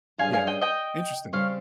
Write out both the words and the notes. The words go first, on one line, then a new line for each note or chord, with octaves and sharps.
Yeah. Interesting.
G2 G3 C#4 G#4 F5 G#5
F5 G#5
D#5 G5
D#5 G5
C#3 G3 C4 G4 C5 C#5 F5